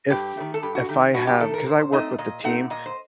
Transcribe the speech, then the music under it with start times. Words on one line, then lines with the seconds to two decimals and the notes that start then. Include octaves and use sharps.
if if I have 'cause I work with a team,
0.10 G2 G4
0.37 D#3 A3
0.54 A4
0.63 G2 G4
0.75 F#4
0.89 D#3 A3 G4
1.14 G2 F#4
1.27 G4
1.40 D#3 A3 A4
1.54 A#4
1.66 A#2 C5
1.92 A3 C4 D#4 D#5
2.18 A#2 D#5
2.44 A3 C4 D#4 F#5
2.70 A#2 D#5
2.86 C5